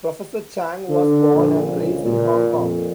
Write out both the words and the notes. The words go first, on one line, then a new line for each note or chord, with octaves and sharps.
Professor Chang was born and raised in Hong Kong.
D3
A#1
C#2
A#2
F2